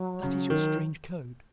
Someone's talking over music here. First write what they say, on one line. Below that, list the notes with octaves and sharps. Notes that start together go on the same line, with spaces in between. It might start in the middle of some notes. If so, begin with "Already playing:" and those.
That is your strange code.
Already playing: F#3
C#3
D#3